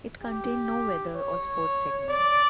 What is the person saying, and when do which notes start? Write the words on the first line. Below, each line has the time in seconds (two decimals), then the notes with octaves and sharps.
It contained no weather or sports segments.
0.21 G4
1.15 C#5
2.09 D5